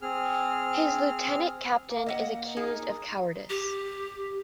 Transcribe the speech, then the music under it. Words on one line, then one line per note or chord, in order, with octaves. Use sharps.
His lieutenant captain is accused of cowardice.
C4 G#4 F6
A#3
D#5 E5 F#5
D#4 G#4 A#4
G4